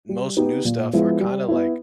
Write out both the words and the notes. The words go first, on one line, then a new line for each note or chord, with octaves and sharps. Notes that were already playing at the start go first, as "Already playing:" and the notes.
most new stuff are kinda, like
G3
B3 D#4 G4
A#2
F3 G#3 B3 E4
G3
B3 E4